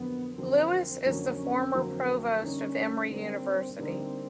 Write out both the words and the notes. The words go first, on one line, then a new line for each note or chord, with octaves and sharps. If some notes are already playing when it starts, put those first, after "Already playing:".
Lewis is the former Provost of Emory University.
Already playing: F2 D3 F#3 A#3 B3
F2 D3 F#3 A#3 C4
F2 D3 F#3 A#3 C#4
F2 D3 F#3 A#3 C4
D3 G3 A#3 C#4 D#4
D3 G3 A#3 C4 D#4
D3 G3 A#3 C4 D#4